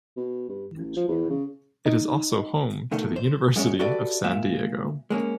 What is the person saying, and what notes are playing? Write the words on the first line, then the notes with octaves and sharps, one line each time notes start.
It is also home to the University of San Diego.
B2
G2
A1
F3
E2
C#3
D#4
B2 D#3 A3
C5
F#2 G#3 C#4
F#4 G4 A4 B4 D5 E5
A#2 G#3 E5 F5
G#3 A#3 C#4